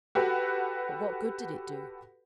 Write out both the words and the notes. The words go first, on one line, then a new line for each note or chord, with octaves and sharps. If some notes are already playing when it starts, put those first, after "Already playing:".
But what good did it do?
F#4 G4 A4 B4 F#5